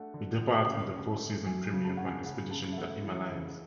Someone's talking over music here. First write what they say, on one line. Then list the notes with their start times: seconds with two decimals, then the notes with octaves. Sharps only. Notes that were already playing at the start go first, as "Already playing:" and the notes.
He departs in the fourth-season premiere for an expedition in the Himalayas.
Already playing: A3 D4 F#5
0.14 D3
0.40 D3
0.66 C#3
0.93 C#4
1.19 A3
1.45 F#3 G#5
1.66 G#5
1.73 C#3
1.85 A5
1.97 C#4 F#5
2.05 G#5
2.25 C#3 F#5
2.51 C#3 A5
2.72 E5
2.77 A3 F#5
3.04 E3 E5
3.31 C#3